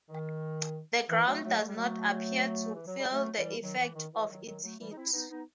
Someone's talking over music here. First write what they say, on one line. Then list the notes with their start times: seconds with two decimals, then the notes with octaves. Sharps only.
The ground does not appear to feel the effect of its heat.
0.10 D#3
1.10 E3
1.27 F#3 A3
1.44 F#3 A3
1.60 A3
1.68 G3
1.75 F#3 A3
2.74 E3
2.86 F#3
2.99 G3
3.12 F#3 A3
3.37 E3 G3
3.62 D#3 F#3
3.79 E3
3.95 D#3
4.13 E3
4.29 D#3 F#3
4.46 D#3 F#3
4.62 F#3 A3
4.79 E3 G3
4.91 D#4
4.96 C4 E4
5.13 B3 D#4
5.30 B3 D#4